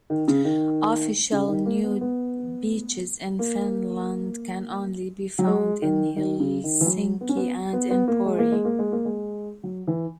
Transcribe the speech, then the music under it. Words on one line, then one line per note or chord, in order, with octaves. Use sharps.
Official nude beaches in Finland can only be found in Helsinki and in Pori.
D#3
C#3
D#3
C#3
D#3
A#3
B3
B3
A#3
F#3
G#3
D#3
D#3
C#3
D#3
E3
F#3
B3
C#4
B3
B3
B3
A#3
G#3
A#3
G#3
A#3
G#3
A#3
G#3
F#3
E3